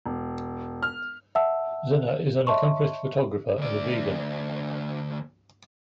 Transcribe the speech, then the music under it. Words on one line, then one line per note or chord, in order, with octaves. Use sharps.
Zinner is an accomplished photographer and a vegan.
E1
F6
E5 F#5 A5 E6
C#5 D#5 E5 A5 C6 C#6
D2 D5